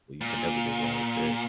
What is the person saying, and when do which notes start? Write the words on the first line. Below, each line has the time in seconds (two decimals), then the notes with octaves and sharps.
Well, you can never go wrong with that.
0.21 A#2